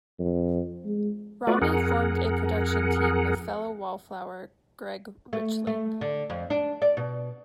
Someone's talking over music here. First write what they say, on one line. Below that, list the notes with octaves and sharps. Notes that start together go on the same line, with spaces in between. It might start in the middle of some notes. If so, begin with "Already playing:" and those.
Rami formed a production team with fellow Wallflower Greg Richling.
F2
G#3
A3 F4 F#4 B4 D5
F2 G#4 A#4 F#5
A3
A3
D3
F2
D4
D5
B2